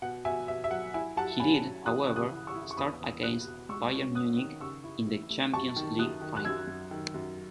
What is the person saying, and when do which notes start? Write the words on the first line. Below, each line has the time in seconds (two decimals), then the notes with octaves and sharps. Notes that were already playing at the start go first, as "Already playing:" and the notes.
He did, however, start against Bayern Munich in the Champions League final.
0.02 B2 F#5
0.25 B2 E5 G#5
0.48 B2 E5
0.64 E5
0.71 F#3 F#5
0.94 E4 E5 G#5
1.16 F#3 F#5 A5
1.40 C#4 G#5 B5
1.63 F#3
1.86 E3 D#6 F#6
2.09 C#3
2.16 D#6 F#6
2.32 E4
2.47 C#6 E6
2.55 E4
2.71 C#6
2.77 E2 B5 D#6
3.01 E2
3.23 B2 D#6 F#6
3.46 B2
3.69 G#3 C#6 E6
3.93 C#4
4.15 C#4 D#6 F#6
4.38 D#3
4.61 C#3 C#6 E6
4.84 E4
5.07 E3
5.30 A3
5.53 F#2 A5 C#6
5.76 D#3
5.99 F#2 D#6 F#6
6.22 D#3
6.37 F#6
6.45 F#2 E6 G#6
6.67 F#2
6.91 D#3
7.14 F#2